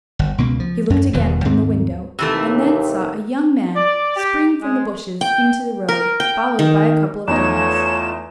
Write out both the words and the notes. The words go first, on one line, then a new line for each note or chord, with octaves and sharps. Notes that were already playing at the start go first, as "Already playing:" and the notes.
He looked again from the window, and then saw a young man spring from the bushes into the road, followed by a couple of dogs.
G1
C#2 B2 A#3
F3
F#2 C#4
E1 E2 B2 D#3
D#2 G#2 C4
D#2 C3 E3 A3
D5
G4
G#3
G5
A#4
G5
D#3
E2 A3 D#4 F4 C#5 E7